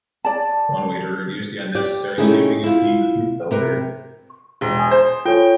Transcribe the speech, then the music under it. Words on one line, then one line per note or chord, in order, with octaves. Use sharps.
One way to reduce the unnecessary snooping is to use a snoop filter.
D5 A5
G4 D5
A3 C#4 D#4 E4 G4 G#4
E4 F4
C3 A#4 B4
E1
G#5 D#6
C5
F4 A4 C#5 G5